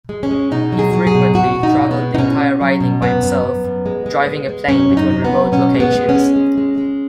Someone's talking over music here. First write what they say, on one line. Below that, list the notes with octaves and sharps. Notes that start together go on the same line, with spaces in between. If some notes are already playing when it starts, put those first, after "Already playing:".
He frequently traveled the entire riding by himself, driving a plane between remote locations.
G#3
C#4
G#3
B2 D#4
F#3
G#4
F#3
G#4
B2
B2 F#4
B2
D#4
B2
B3
G#3
D#4
B2 C#4
B2
F#3
B2
F#2 B3
F#2
F#2
F#2
G#3
G#3
G#3
G#3
F#2 C#4
F#2
D#4
F#3
B3
F#3
B2 C#4
G#3
B3
G#3
C#4
G#3
G#3
G#3
G#3